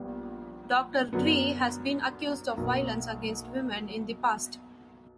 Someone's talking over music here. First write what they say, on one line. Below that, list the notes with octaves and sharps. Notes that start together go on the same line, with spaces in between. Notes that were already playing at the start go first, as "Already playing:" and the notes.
Doctor Dre has been accused of violence against women in the past.
Already playing: A#1 A#2 G3 B3
F#2 D3 F#3 B3
B1 B2 A#3